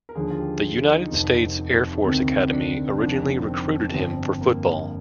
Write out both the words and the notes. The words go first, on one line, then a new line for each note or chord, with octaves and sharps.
The United States Air Force Academy originally recruited him for football.
A#4
D#2 D3 F3 G#4
F4
G4
D#4
F1 F2 C3 D#3
D2 C3 D#3 C4
D4
F1 F2 D#3 D4
C4
G1 G2 F3 C4
A#3